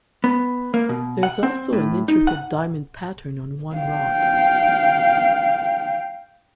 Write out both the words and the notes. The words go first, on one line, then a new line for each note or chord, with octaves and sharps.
There also is an intricate diamond pattern on one rock.
B3
A#3
B2
F#5
C4
A2
D#4
F#5
F5 G5